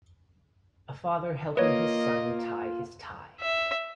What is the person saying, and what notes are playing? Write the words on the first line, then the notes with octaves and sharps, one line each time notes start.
A father helping his son tie his tie.
A#3 F4 B4 C#5 D#5
E5